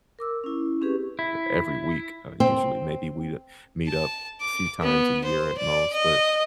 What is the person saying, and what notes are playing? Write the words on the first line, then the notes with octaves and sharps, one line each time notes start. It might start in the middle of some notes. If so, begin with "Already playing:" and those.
uh, every week, uh, usually. Maybe we, uh, meet up few times a year at most, but
A#4 D6 E6
C#4 E4
C4 C#4 G4 G#4 B4
E4
C4
A5
D6
B3
C5
D5
D#5